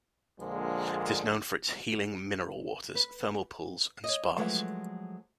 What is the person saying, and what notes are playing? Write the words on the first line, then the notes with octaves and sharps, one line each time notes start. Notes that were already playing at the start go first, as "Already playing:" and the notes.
It is known for its healing mineral waters, thermal pools and spas.
A#1 D3 F3 G#3 A#3
B4
C#5 D#5
F3 F#3 G#3 A3 B4